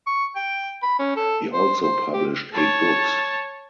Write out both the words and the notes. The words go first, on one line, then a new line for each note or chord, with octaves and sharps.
He also published eight books.
C#6
G5
B5
C#4
A4
C5
C5
G4
C#5 A5